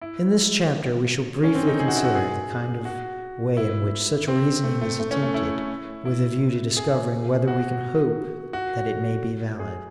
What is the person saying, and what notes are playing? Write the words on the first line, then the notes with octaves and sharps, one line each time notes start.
In this chapter we shall briefly consider the kind of way in which such reasoning is attempted, with a view to discovering whether we can hope that it may be valid.
E4
C#4
C4
D#4
G#4
F#4
E4
F#4
G#4
F#4
E4
C4
A3
A3
A3
C#4
A3
E4
E4
G#4
F#4
F#4
G#4